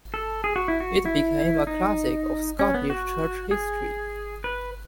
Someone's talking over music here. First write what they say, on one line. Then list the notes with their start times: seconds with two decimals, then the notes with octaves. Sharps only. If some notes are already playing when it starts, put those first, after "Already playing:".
It became a classic of Scottish Church History.
0.14 A4
0.44 G#4
0.56 F#4
0.68 E4
0.80 F#4
1.05 E4
1.67 D#4
2.59 C#4
2.74 B3
2.90 F#4
3.51 G#4
4.44 B4